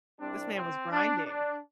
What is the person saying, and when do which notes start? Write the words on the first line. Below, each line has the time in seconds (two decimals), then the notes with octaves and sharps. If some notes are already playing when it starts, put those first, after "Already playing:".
This man was grinding.
0.18 C2 C3 G3 C4 D4
0.54 C4
0.89 D4
1.25 D4